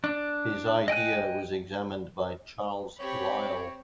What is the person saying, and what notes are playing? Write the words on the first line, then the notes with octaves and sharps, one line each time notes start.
His idea was examined by Charles Lyell.
D4
D#5 G5 G#5 F#6
C4 G4 C#5 B5